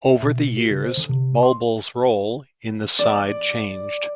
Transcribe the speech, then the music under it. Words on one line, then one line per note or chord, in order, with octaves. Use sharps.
Over the years Bulbul's role in the side changed.
E5
B2
F#4
C#3
C5
D3
C3
C6
D5